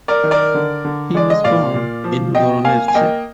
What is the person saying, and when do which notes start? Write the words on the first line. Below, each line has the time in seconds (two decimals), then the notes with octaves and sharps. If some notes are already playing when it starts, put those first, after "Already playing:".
He was born in Voronezh.
0.08 A#4 D5
0.23 D#3
0.31 A#4 D5
0.54 D3
0.84 D3
1.15 G#3 D5
1.30 D#5
1.44 A#2 D5 F5
1.74 A#2
2.04 F3
2.35 C3 D#5 G5
2.64 A#3 F5 G#5
2.88 G#5
2.94 A#3 D#5 G5